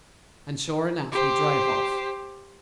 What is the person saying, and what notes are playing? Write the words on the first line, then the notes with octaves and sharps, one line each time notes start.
And sure enough, he drove off.
G4 C5